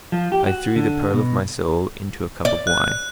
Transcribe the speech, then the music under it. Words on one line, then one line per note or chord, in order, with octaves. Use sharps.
I threw the pearl of my soul into a cup of wine.
F3
G4
F#4
D3
B2
D5
F#6